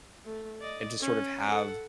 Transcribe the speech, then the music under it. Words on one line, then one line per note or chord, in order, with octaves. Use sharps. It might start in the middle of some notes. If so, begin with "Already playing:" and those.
and to sort of have
A3
D5 D#5
C#4
A4 F#5